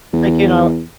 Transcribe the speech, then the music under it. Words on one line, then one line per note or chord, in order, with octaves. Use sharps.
like, you know
E2